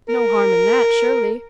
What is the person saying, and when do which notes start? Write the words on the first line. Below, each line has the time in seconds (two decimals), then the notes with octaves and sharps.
"No harm in that, surely."
0.09 A#4